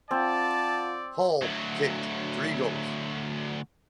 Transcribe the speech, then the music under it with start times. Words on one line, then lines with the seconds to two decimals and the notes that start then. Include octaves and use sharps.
Hall kicked three goals.
0.11 C4 F4 D5 F5 F#5 A5
1.43 D2 F#3